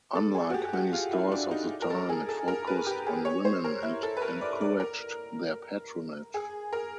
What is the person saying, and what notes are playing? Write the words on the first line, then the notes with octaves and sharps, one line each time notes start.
Unlike many stores of the time it focused on women and encouraged their patronage.
A4
G#4
F#4
G4
F#4
F4
E4
D4
D#4
A#4
A4
G#4
A4
A#4
B4
G4
G#4
C#5
C5
A#4
E4
A4
B4
A#4
D5
D5
A#4
G#4
A#4